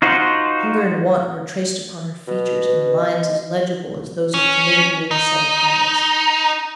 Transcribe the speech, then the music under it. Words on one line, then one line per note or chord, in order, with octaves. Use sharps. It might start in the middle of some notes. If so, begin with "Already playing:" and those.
Hunger and want were traced upon her features in lines as legible as those of timidity and ascetic habits.
D#4 F4 F#4 C5
B2
B4
D#5
C#4
D#4